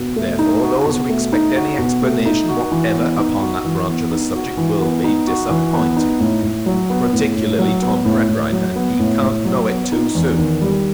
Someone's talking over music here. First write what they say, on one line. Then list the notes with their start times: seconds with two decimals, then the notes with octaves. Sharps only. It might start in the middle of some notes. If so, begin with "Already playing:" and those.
Therefore those who expect any explanation whatever upon that branch of the subject, will be disappointed—particularly Tom Gradgrind, and he can’t know it too soon.
Already playing: B2
0.16 A3
0.39 D#4
0.62 F#4
0.86 B2
1.09 A3
1.32 D#4
1.56 F#4
1.78 B2
2.02 A3
2.26 D#4
2.49 F#4
2.72 E3
2.94 B3
3.18 D#4
3.41 F#4
3.65 E3
3.87 B3
4.11 D#4
4.35 F#4
4.57 E3
4.81 B3
5.04 D#4
5.27 F#4
5.50 E3
5.74 B3
5.96 D#4
6.20 A2
6.43 A2
6.66 F#3
6.90 B3
7.13 A2
7.37 A2
7.59 F#3
7.82 B3
8.05 A2
8.29 A2
8.52 F#3
8.76 B3
8.99 A2
9.21 A2
9.45 F#3
9.69 B3
9.92 D#4
10.15 E2
10.38 D#3
10.62 G3